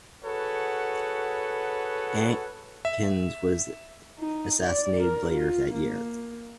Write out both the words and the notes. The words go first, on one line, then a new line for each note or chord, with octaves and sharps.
Adkins was assassinated later that year.
F#4 G#4 A4 B4 C#5 F#5
E5
D#4
D5
A#4
F4
A#3